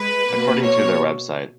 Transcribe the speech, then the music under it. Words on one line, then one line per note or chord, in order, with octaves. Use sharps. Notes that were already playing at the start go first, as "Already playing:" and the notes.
According to their website.
Already playing: G#3 B4
B2 A#3
C#5